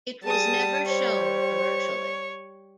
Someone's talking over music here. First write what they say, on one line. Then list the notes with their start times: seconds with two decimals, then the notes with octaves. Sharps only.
It was never shown commercially.
0.24 G3 G#4 A5 D#6
0.86 C5 C#5